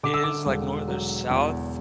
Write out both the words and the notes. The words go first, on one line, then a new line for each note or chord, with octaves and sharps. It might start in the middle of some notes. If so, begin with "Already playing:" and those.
is, like north or south.
D3 D6
E6
D6
E1
F#3
E2